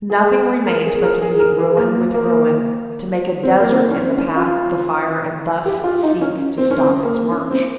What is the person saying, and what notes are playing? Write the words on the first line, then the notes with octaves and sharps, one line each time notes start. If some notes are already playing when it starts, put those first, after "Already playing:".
Nothing remained but to meet ruin with ruin, to make a desert in the path of the fire and thus seek to stop its march.
G#4
A#4
G#4
A#4
G#4
A#4
G#4
A#3
A#3
A#3
C4
A#3
C4
C#4
C4
C#4
F4
G4
F4
D#4
C#4
C4
C#4
C4
A#3
C#4
C4